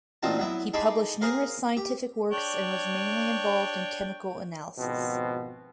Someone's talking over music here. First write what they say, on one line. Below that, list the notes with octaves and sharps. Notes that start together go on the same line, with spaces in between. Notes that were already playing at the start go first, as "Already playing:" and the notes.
He published numerous scientific works and was mainly involved in chemical analysis.
A1 A#2 C4 D#4 F#4 A5
F#3 B3 E4
D#4 G#4 A5 B5 C6 D6
G#4 A#4 C5 F5
G4
D4 C#5 G5
G#1 B2 F3 C4